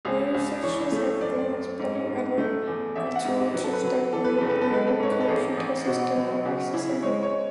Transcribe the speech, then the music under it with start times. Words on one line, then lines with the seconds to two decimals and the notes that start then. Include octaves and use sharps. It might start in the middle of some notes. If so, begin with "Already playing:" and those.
Researchers have been exploring other alternatives that make modern computer systems more accessible.
0.05 C#2 G#4
0.34 C#2
0.63 E3 C#5
0.92 A3
1.21 F#2 D5
1.50 F#2
1.79 G#2
2.09 G#2
2.38 A3
2.67 E2
2.96 A1 E5
3.16 F#5
3.25 G#2
3.54 F#3 B4
3.64 A4
3.73 B4
3.83 F#3
4.13 E3 A4
4.24 B4
4.37 F#1 A4
4.49 B4
4.61 A4
4.70 G#3 B4
4.87 A4
4.99 G#2 C#5
5.11 B4
5.20 A4
5.28 A1 G#4
5.57 A1
5.87 B2 F#4
6.15 F#3
6.45 C#3 F#4
6.73 C#3 E4
7.03 G#3 C#5
7.23 C#5